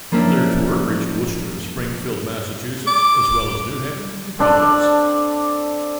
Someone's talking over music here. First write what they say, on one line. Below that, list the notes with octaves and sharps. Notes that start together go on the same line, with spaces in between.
Their tour reached Worcester and Springfield, Massachusetts, as well as New Haven and Providence.
F3 A#3 C#4 D4 E4 E5
D6
C4 D4 A4 D5